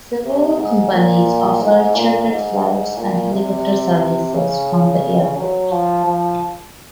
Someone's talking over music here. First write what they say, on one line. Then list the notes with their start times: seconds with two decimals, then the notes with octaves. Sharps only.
Several companies offer chartered flights and helicopter services from the airport.
0.25 C3
0.58 G#2
0.92 A#2
1.62 G#2
1.95 A#2
2.29 G#2
2.97 A#2
3.32 C3
4.34 C#3
5.37 F#3
5.72 F3
6.05 F3